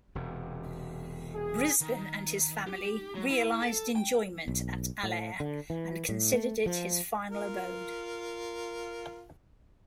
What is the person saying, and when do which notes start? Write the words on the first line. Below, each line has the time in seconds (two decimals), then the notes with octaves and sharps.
Brisbane and his family realized enjoyment at Allaire and considered it his final abode.
0.15 E1 C3
1.35 G#4
1.81 D#3
2.67 G4
3.15 F#3
3.30 E4
3.60 A4
3.96 G5
4.48 B1
5.03 A2
5.40 D3
5.70 E3
6.09 A2
6.33 A3
6.66 F3
7.30 F4 A#4